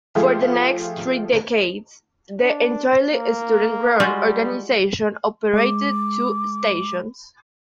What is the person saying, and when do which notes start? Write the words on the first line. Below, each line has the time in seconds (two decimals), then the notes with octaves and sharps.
For the next three decades, the entirely student-run organization operated two stations.
0.15 F3 A3 F4 G4 G#4
2.42 D4
3.12 A#3
4.00 G3 G#3 F4 F#4
5.54 G#3 D6